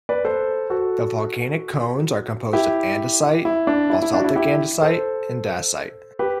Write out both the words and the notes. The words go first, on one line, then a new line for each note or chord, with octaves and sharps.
The volcanic cones are composed of andesite, basaltic andesite and dacite.
B4 D5
A4 C5
F#4 A4
E4 G4
E4
D4
E4
E4
D4
F#4
E4
E4 G4
A4 C5
G4 B4